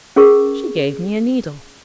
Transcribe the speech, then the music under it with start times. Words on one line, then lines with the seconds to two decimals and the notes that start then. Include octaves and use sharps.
'She gave me a needle.'
0.16 C#4 G#4 A#4 C#6